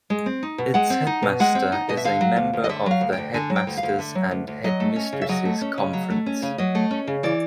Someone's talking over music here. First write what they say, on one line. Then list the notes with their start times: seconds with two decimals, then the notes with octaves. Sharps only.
Its headmaster is a member of the Headmasters' and Headmistresses' Conference.
0.10 G#3
0.26 C4
0.43 D#4
0.58 B2
0.74 G#3 F#5
0.90 C4
1.07 D#4
1.23 B2
1.40 G#3 F#5
1.55 C4
1.72 D#4
1.89 B2 D#5
1.97 E5
2.05 D3 F5
2.21 F#3
2.36 D2
2.53 D2
2.64 D#5
2.69 D3 E5
2.86 F#3 F5
3.01 D2
3.13 D2 G5
3.34 D3 G#5
3.50 F#3
3.56 G5
3.67 D2
3.77 F5
3.83 D2
3.99 D3 E5
4.15 F#3
4.31 D2
4.48 D2
4.64 F#3 D#5
4.80 A3
4.96 C#4
5.13 C#3
5.22 E5
5.29 F#3 D#5
5.45 A3
5.61 C#4
5.78 C#3
5.93 F#3
6.10 A3
6.26 C#4
6.42 C#3
6.58 F#3 D#5
6.75 A3
6.91 C#4
7.07 C#3
7.23 E3 D5